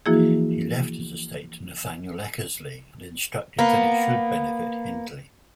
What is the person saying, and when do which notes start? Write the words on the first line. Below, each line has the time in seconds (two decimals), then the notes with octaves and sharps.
He left his estate to Nathaniel Eckersley and instructed that it should benefit Hindley.
0.06 E3 F3 A#3 E4 F#4 G#4
3.59 A#3 B3